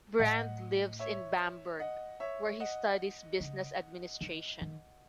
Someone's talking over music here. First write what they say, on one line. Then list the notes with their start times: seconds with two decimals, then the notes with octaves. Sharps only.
Brand lives in Bamberg, where he studies business administration.
0.19 A2 D#5 F#5
0.99 C#5 E5
1.80 D#5 F#5
2.20 C#5 E5
2.60 D#5 F#5
3.40 C#3
4.21 D#3
4.61 D#3